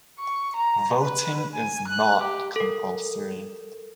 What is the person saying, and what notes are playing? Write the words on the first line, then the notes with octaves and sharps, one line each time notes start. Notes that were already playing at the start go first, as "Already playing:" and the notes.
Voting is not compulsory.
C#6
A#5
B4
G#5
F#6
G4
A4 A#4